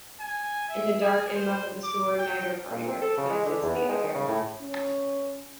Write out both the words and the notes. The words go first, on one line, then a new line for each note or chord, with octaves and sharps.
In the dark and muck of the sewer, neither party recognizes the other.
G#5
E5
G#4
C5
D6
G5
A#2
C4
A4
C#3
G#3
D3
E2
B3
G#3
D#3
C#3
A2
C#4